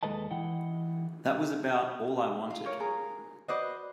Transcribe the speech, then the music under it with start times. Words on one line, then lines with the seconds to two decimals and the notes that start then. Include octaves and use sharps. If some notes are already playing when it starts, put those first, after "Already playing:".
That was about all I wanted.
0.03 D#2 G#3 A4 B4 D#5 A5
0.31 E3 E4 D#5 F#5 G5
2.50 F4
2.65 A#4 C#5
2.80 G#4 A#4
3.48 F#4 B4 C5 D5 D#5